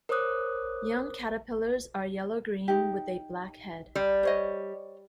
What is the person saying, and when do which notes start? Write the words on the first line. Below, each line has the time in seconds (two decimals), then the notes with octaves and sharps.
Young caterpillars are yellow-green, with a black head.
0.09 A#4 C5 C#5 D6 D#6 F#6
2.68 D#4 G4
3.96 G3
4.23 C5 C#5 D#5